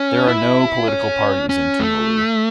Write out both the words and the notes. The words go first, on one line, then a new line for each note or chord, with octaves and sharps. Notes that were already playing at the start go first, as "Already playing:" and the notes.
There are no political parties in Tuvalu.
Already playing: C#4
E4
C#4
C#4
A3